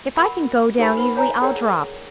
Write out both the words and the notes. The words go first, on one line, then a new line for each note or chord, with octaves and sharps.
If I can go down easily, I'll drop.
F#4 A#4 F#5 B5 C#6
D#4 G4 A#4 C5 G#5 B5
B4 F#5 B5
C#5 F5 G5 G#5 A#5
G#4 A#4 C#5 D5 F#5 G5